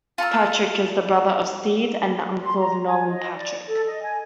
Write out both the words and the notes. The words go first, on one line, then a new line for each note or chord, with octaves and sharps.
Patrick is the brother of Steve and the uncle of Nolan Patrick.
F4 A4 A#5 E6
C6
A#5
G#5
D#5
D5
A4
D#5
G#5